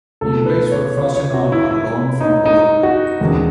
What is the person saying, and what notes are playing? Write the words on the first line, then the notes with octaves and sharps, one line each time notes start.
He plays for Frosinone on loan from Bologna.
C#2 B2 F#3 A3 A4
B4
C#5
C#5
C#5
F#4
E4
E4
D#4
D#4
F#4
E1 D#2 C#3 G#3